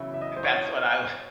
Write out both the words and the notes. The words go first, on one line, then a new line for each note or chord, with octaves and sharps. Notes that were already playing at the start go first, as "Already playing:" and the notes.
That's what I wa
Already playing: E2 C#3 F#3 C#4 E4
E5
D#5
C5
C#5